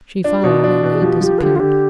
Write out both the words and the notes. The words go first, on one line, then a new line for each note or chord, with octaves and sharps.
She followed, and they disappeared.
D4 F4
B2 F4 G4
D#4
D4 F4
B2 B4
G#4
F3 G4
F3 G4
D3 G4 B4
F4
D3 G4